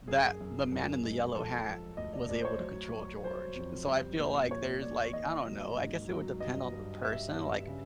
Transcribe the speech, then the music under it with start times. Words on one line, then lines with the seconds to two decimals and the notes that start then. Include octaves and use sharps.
that the man in the yellow hat was able to control George, so, I feel, like, there's, like I don't know, I guess it would depend on the person, like,
0.08 F#2 G#4
0.40 F#2
0.72 F#2
1.04 G#3
1.34 F3 A4
1.66 F3
1.97 D2 D#5
2.13 D5
2.29 D2 D5
2.41 C5
2.45 C#5
2.61 F#3
2.92 F#3
3.24 F#3 C5
3.55 F2
3.87 G3
4.18 A#2
4.51 A#2 C#5
4.81 A#2 D5
5.13 D#3 D#5
5.45 F#3
5.76 G#2
6.08 F#3
6.40 G2 D#5
6.72 G2
7.03 G3 E5
7.35 G2
7.67 C#3